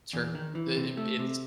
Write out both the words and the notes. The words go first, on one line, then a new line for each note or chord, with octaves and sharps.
Sure, it it it's,
E2
D#3
E3
C3
A3
C3